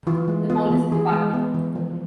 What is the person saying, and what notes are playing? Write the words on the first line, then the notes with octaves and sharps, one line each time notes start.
The police dept.
E3 F4
G#3
B3 F4
E3
E3 G#4
G#3
B3
E3
F3